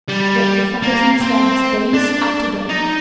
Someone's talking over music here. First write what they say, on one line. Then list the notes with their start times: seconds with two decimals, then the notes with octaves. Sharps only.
Let the faculties thou hast dazed, act again.
0.08 G3
0.82 A#3
1.20 C4
1.94 D4
2.70 D#4